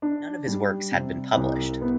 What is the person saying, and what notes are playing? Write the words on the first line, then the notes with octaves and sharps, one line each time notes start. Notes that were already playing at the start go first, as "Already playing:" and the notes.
None of his works had been published.
D4
G3
C3
C2
B3